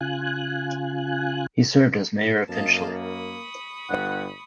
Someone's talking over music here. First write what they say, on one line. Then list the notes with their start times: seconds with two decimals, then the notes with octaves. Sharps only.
He served as Mayor of Finchley.
0.01 C#3 F4 G#5 F#6
2.49 F#2 A#3 D#5 F5 A5
2.98 B5 C#6 D#6
3.90 G1 G2 F#5